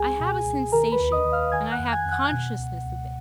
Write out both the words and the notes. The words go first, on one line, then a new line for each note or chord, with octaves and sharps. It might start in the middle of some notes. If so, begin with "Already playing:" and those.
I have a sensation, and I have consciousness of it.
Already playing: C#2 G#4 G#5
B2
C#2
D#3 A#4 A#5
B4 B5
D#2
D#5 D#6
D#3
F5 F6
D#3 G#5 G#6
F#5 F#6
F2
G#5 G#6
F2
F#5 F#6
B2
C#2
C#2